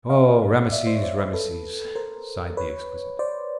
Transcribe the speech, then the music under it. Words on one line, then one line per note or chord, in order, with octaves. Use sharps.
"O Rameses, Rameses!" sighed the exquisite.
D#5 F5
D5 E5
C5 D5
C#5
C5 D5
B4 C#5
A4 B4
A#4 C5
B4 C#5
C5 D5